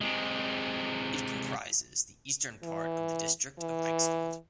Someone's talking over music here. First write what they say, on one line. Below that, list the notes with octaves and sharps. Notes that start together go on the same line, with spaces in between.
It comprises the eastern part of the district of Eichsfeld.
C3 G#3
E3
E3